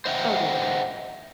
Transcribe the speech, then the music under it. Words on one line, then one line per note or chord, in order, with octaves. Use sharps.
So do I.
C5 D#5 E5 F#5 G5